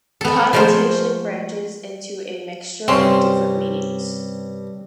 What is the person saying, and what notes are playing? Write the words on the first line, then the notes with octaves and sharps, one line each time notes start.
"Connotation" branches into a mixture of different meanings.
B3 A4
F3 G#3 A3 A#4 C5
G2 C3 C4 C#4 A5 C6